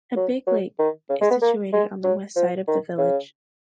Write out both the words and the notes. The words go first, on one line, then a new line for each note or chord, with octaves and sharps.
A big lake is situated on the west side of the village.
F#3
F#3
D#3
C#3
G#3
B3
A#3
G#3
F#3
F3
D#3
C#3